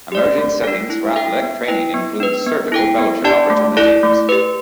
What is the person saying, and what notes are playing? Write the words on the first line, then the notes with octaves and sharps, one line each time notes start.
Emerging settings for athletic training include surgical fellowship opportunities.
G4 D5
A3
D4 A4
E4
A4 E5 G5
B3
E4 B4 G5
B3
D4 B4
B3
E4 A4 G5
B3
D4 G4 D5 A5
A3
E4 A4 D5
A3
G4 B4